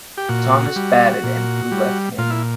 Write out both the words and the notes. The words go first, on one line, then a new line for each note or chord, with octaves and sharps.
Thomas batted and threw left-handed.
G4
A#2 F#4
G3
A#2
G3
A#2 F4
E4